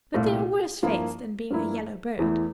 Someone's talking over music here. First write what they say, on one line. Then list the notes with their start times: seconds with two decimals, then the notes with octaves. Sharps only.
But there are worse fates than being a yellow bird.
0.14 C2 A#2 A3
0.83 G2 F3 A#3 E4
1.50 G2 F3 A#3 E4
2.19 E2 E3 A3 E4